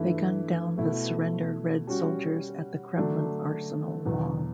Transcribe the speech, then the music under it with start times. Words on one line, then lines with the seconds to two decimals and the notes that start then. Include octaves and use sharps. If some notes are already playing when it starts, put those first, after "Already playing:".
They gunned down the surrendered Red soldiers at the Kremlin Arsenal wall.
Already playing: G2 E3 A3 E4
0.77 B2 A3 E4
1.87 G3 C#4 F#4
2.97 D3 F#3 A3 D4
4.05 E2 B2 F#3